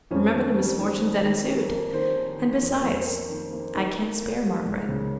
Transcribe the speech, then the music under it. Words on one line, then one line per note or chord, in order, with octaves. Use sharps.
Remember the misfortunes that ensued; and besides, I can't spare Margaret.'
F2 C#4
D#3
G3
D#3
D#3
D#3
A#3
A#3
D#3 C5
D#3
D#3
F2
F2
A#3
D#3
A#3
A#3 D#4
A#3
A#3
G3
C#2
C#3